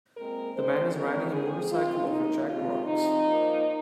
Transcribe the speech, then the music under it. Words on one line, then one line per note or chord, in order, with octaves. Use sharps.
The man is riding a motorcycle over jagged rocks.
A#2 G#3 C4 A#4
G#2 D#3 G#3 C4 C5
C3 G#3 C4 A#4
G#2 D#3 G#3 C4 G#4
G#2 G#3 C4 F4
C3 F3 A#3 D#4
C3 D#3 G#3 F4
C3 F3 C4 D#4
A#2 F3 A#3